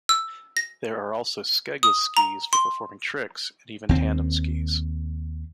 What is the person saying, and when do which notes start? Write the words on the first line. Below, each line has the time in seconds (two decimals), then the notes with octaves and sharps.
There are also skegless skis for performing tricks, and even tandem skis.
0.09 E6
0.57 A#6
1.83 D#6
2.17 A#5
2.53 C6
3.89 D#2 C4